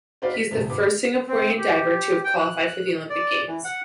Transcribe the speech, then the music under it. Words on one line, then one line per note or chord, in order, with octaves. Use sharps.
He is the first Singaporean diver to have qualified for the Olympic Games.
C4 D#4 F#4 B4 D5 F5
B6
D#1 C3
G#1 B4 D6
C4
G4
G5
F#6
D5
E3
F#5